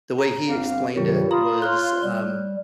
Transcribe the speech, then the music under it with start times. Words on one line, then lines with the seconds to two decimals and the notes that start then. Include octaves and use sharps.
the way he explained it was, um,
0.19 A#5
0.49 G1 C4 F5
0.96 G2 C3 D#3 F#3 F4 G4
1.31 F4 A#5 B5 D#6
1.62 C#5 C6 F6 F#6
2.03 G3